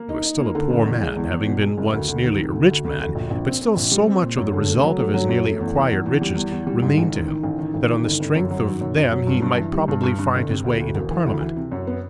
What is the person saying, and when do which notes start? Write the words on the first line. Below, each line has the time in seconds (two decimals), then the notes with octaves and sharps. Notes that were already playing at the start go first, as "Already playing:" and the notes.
He was still a poor man, having been once nearly a rich man; but still so much of the result of his nearly acquired riches remained to him, that on the strength of them he might probably find his way into Parliament.
Already playing: A#3
0.09 D#4
0.24 D#4
0.40 A#3
0.55 D3
0.70 F#1
0.85 E2
1.01 G#3
1.16 E2
1.31 E2
1.47 B2
1.62 G#3
1.78 F#1
1.93 D2
2.08 D2
2.23 D#3
2.39 C3
2.53 D2
2.69 D2
2.85 D2
3.00 D2
3.15 A#1
3.30 A#1
3.46 C4
3.61 C4
3.76 A#1
3.92 G3
4.07 C4
4.22 A#2
4.37 F#2
4.53 D3
4.68 A3
4.83 F#3
4.99 A3
5.14 F#3
5.29 F#2
5.44 A3
5.60 E2
5.75 E2
5.91 E2
6.06 E2
6.21 G3
6.36 E2
6.52 E2
6.67 G3
6.82 G#2
6.98 A1
7.13 D#3
7.28 D#3
7.44 A1
7.59 D#3
7.74 A1
7.89 D#3
8.05 G1
8.20 G1
8.35 F#2
8.51 F#3
8.66 D#3
8.81 F#2
8.96 F#2
9.12 F#3
9.27 G2
9.42 G2
9.57 E3
9.73 G3
9.88 G2
10.03 G2
10.19 G2
10.34 G1
10.49 C3
10.64 D2
10.80 D2
10.95 E1
11.11 E3
11.26 D2
11.41 E3
11.56 C3
11.72 F#2
11.87 B3